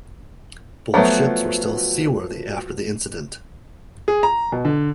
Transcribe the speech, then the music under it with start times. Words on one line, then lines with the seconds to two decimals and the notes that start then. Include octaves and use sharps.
Both ships were still seaworthy after the incident.
0.94 F3 F#3 A3 B3
4.08 G#4
4.23 A#5
4.52 B2
4.65 D3